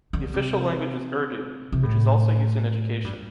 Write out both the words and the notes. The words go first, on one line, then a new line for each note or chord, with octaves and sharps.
The official language is Urdu, which is also used in education.
D3
C3
C3
A2
G2